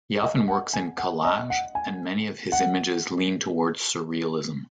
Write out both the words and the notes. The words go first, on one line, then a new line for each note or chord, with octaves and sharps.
He often works in collage, and many of his images lean toward surrealism.
D#5
F#5
G#5
F#5
D#5
F#5
G#5
F#5